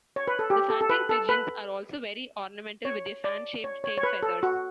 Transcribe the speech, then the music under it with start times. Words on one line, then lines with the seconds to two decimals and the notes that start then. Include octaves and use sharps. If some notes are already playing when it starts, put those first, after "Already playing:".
The fantail pigeons are also very ornamental with their fan-shaped tail feathers.
0.16 C#5
0.28 B4
0.39 A4
0.50 G4
0.70 A4
0.81 A4
0.90 B4
1.09 A4
1.29 B4
2.85 C#5
3.24 D5
3.64 C#5
3.84 C#5
3.97 C#5
4.03 B4
4.23 A4
4.43 F#4